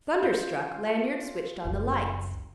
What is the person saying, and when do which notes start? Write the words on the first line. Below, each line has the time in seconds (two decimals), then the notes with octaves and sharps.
Thunderstruck, Lanyard switched on the lights.
0.23 F4 G6
1.65 F#1 C#2